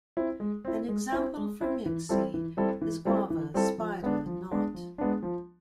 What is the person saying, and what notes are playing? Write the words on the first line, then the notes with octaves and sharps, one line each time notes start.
An example from Mixe is "guava", "spider", "knot".
C4 E4
G#3
C4 E4
G#3
C4 E4
G#3
C4 E4
E3
G3 C4 E4 A4
E3
G3 C4 E4 A4
E3
G3 C4 E4 A4
E3
G3 C4 E4 A4
F3
G#3 B3 D4
F3
G#3 B3 D4
F3
G#3 B3 D4
F3